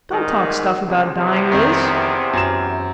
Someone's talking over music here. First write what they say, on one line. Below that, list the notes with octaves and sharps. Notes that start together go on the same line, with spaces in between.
'Don't talk stuff about dying, Liz.'
G#2 D#3 G3
C#2 C3
E2 C3
F2 D#3
F#2 E7